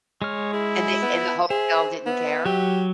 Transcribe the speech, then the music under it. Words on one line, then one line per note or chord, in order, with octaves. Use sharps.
And they and the hotel didn't care?
G#3 C#5 F6
E4 G#4
B3
G#4 C5 E5
B3 E5
F#3 G4